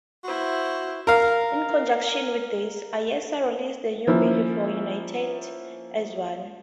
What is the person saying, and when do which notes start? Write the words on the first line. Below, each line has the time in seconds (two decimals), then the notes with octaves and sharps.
In conjunction with this, Ayesa released the new video for 'United As One'.
0.24 E4 F#4 C5
1.07 A#4 F5
4.07 F3 A#3 C#4 E4